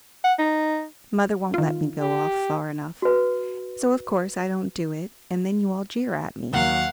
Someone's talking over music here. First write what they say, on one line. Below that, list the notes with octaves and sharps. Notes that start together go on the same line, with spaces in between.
Mother won't let me go off far enough, so of course I don't do it, and then you all jeer at me.
F#5
D#4
D#3 F4
G4
F#4 B4
D#2 F#3 F5 F#5